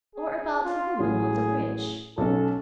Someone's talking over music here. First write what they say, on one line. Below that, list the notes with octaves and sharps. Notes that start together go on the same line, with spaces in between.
Or about the woman on the bridge?
G#4
F4
A1 A2 F#3 G#4
B1 C#4 A4